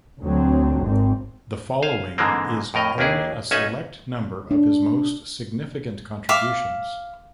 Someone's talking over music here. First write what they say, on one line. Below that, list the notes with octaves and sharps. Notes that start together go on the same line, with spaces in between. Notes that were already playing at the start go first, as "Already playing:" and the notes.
The following is only a select number of his most 'significant' contributions.
D2 D3 F#3 C4
G#1 C4
C5 F5 G#5
G#2 D3 E3 G#3 A#3 C4
F2 A2 A#4 D#5
D#2 A#3 D4 E4 G#4
B1 C#4 D#4 E5 F#5 G#5
D4
E5 F5 D6